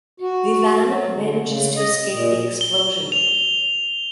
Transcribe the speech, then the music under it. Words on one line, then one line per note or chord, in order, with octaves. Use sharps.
Vivaan manages to escape the explosion.
F#4
F#3
D3
C#3
D#5
A#2
G7
F7